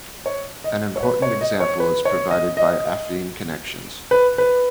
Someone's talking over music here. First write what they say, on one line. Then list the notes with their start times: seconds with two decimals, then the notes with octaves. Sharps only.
An important example is provided by affine connections.
0.26 C#5
0.64 D#5
0.96 C#5
1.03 B4
1.22 C#5
1.41 D#5
1.60 C#5
1.80 B4
2.05 C#5
2.31 D#5
2.57 D#5
4.11 B4
4.38 B4